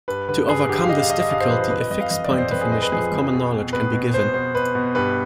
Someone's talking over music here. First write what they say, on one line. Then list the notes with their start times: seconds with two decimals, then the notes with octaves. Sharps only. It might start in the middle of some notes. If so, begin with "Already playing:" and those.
To overcome this difficulty, a "fixed-point" definition of common knowledge can be given.
0.08 G2 B4
0.29 D3 B4
0.49 G2 G#4
0.69 D3 G4
0.82 F5
0.89 D3 D#5
1.00 F5
1.09 G2 D#5
1.20 D#5
1.30 G2 F5
1.40 C5
1.50 F3 B4
1.60 C5
1.70 F2 B4
1.80 D#5
1.91 F2 D#5
2.01 F5
2.11 F2 D#5
2.24 D5
2.31 F2
2.38 C5
2.51 F2 B4
2.61 G#4
2.72 F2 D#5
2.82 B4
2.92 F3 G#4
3.12 F2
3.33 B2
3.53 B2
3.73 B2 B4
3.93 B2
4.14 B2 C5
4.34 B2 C5
4.54 B2 B4
4.75 B2
4.95 G2 B4